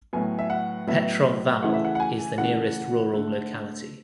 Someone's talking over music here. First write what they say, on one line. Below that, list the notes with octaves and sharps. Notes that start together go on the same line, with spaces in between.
Petrov Val is the nearest rural locality.
A2 F#3 B3 G#5
E5
F#5
A2 F#3 B3 E5
C#3 E3 A3 F#5
E5
F#5
F#5
G#5
C#3 E3 A3 F#5
D3 A3